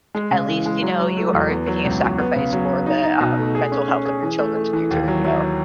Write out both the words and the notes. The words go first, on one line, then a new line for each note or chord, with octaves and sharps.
at least, you know, you are making a sacrifice for the, uh, mental health of your children's future, you know.
G#3
C#3
E3
G#3
F#3
F#3
A3
E2
B3
F#3
C#2
F#3
B3
C#3
F#3
B3
D#4
D#4
B2
A3
G#4
C#4
C#4
G#4
E3
A3
A3
E3
D#2
F#3
F#3